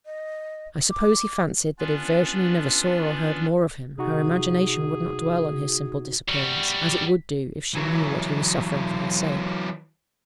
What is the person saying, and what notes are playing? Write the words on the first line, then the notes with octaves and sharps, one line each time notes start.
I suppose he fancied that, if Virginie never saw or heard more of him, her imagination would not dwell on his simple disappearance, as it would do if she knew what he was suffering for her sake.
D#5
D6
B3 C#4 D4 F4 B4 D5
C3 D#4 F#4 G#4
G3 F#4
E3 F#3